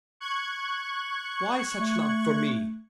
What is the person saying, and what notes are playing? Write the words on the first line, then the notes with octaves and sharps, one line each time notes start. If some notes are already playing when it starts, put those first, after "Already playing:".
Why such love for me?
C#6 F#6 G#6
A3